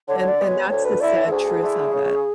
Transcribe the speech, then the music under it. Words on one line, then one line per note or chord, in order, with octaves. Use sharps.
and and that's the sad truth of it.
D3 C#5
C#5
D5
G#3 B3
C#5
D2 C#5
B4
D3 A3 E4 D5
C#5
A4
D2 G#4
D3 A3 E4
C#3